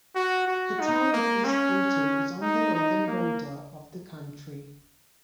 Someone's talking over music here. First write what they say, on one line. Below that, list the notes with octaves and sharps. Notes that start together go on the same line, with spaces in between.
The town of East Otto is on the northern border of the county.
F#4
F#4
D#4
A#3
C#4
D#4
D#4
A#3